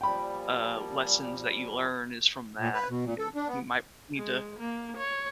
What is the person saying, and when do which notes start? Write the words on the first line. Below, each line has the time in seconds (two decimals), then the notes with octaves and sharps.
uh, lessons that you learn is from that, you know, you might need to
0.01 A#2 F3 G3 G5 B5
2.59 A#2
2.74 B4
2.90 B2
3.06 A#2
3.19 A4
3.35 D4
3.48 B3
4.16 G#3
4.59 A#3
4.97 C#5